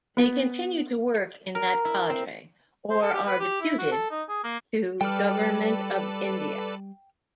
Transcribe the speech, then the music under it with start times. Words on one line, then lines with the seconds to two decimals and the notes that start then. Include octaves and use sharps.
They continue to work in that cadre or are deputed to Government of India.
0.17 B3
1.55 A#4
1.85 E4
2.10 C4
2.90 C5
3.02 A4
3.14 G4
3.27 B4
3.40 G4
3.61 E4
3.78 F#4
3.91 A4
4.10 D#4
4.29 G#4
4.44 A#3
5.01 G3 A4 B4 D5 G5 F6